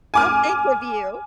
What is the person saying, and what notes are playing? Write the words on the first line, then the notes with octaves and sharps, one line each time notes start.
I'll think of you.
G#5 D6 F6